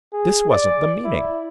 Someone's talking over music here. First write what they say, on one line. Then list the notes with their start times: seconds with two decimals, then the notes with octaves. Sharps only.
This wasn't the meaning.
0.13 G#4
0.50 D5
1.05 E4